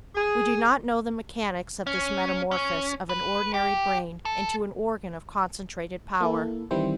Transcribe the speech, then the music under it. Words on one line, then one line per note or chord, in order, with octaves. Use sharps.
We do not know the mechanics of this metamorphosis of an ordinary brain into an organ of concentrated power.
G#4
C#4
C#4
B4
G4
A4
A#3 E4 A4
D#3 E3 G3 C4 E4 C5